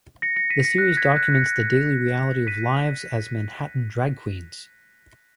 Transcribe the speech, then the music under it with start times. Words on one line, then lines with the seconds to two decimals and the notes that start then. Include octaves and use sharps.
The series documents the daily reality of lives as Manhattan drag queens.
0.22 A#6 C#7
0.36 A#6 C#7
0.50 B6 D#7
0.64 A#6 C#7
0.78 F#6 A#6
0.97 G#6 B6
1.16 F#6 A#6
1.34 A#6 C#7
2.47 B6 D#7